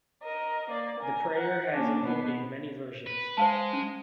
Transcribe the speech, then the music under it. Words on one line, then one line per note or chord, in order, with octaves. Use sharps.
The prayer has appeared in many versions.
A#4 D#5
A#3 D5
A#4 G#5
F#5
A#3 C#4 D4
B2 B3
B4
G#3 C5 F5 A5
C#4